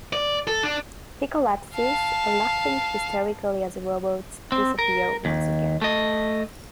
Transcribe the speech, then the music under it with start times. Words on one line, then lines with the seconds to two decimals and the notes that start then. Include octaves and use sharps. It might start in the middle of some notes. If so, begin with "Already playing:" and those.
He collapses, laughing hysterically as robots disappear once again.
0.13 D5
0.47 A4
0.63 D4
1.75 F5 A5
4.52 C4
4.79 A#4
5.25 D#2
5.81 A3 D#5